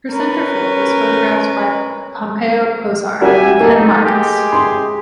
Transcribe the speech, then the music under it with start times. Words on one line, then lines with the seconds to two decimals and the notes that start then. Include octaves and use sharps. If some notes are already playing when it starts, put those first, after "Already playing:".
Her centerfold was photographed by Pompeo Posar and Ken Marcus.
0.11 C#4 A#4 B4
3.21 G3 F#4 G4 A#4 E5 G#5
3.60 A#3 D#4 A4
4.05 G#3 G4 G#4
4.52 C6